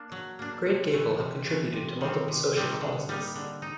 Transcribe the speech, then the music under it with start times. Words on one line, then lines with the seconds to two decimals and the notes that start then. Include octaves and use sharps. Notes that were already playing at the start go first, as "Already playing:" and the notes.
Great Gable have contributed to multiple social causes.
Already playing: A#3 D4
0.12 F#3
0.39 A#3 D4
0.66 C3
0.94 E3 A3
1.20 C3
1.46 E3 A3
1.73 C3
2.01 D#3 G3 C4
2.28 C3
2.55 D#3 G3 C4
2.81 D3
3.09 G3 A#3 D#4
3.35 D3
3.62 D#4